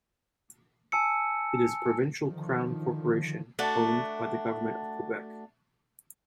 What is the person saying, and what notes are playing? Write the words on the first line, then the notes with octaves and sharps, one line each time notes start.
It is a provincial Crown corporation owned by the Government of Quebec.
G#5 A5 E6 C#7
D3 D#3 F3
A3 D4 F#4